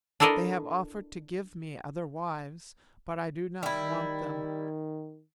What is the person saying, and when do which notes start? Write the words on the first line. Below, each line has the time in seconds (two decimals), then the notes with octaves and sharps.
They have offered to give me other wives, but I do not want them.
0.20 D4 E4 A4 A#4 D5 D#5
3.63 D#3 G3 E4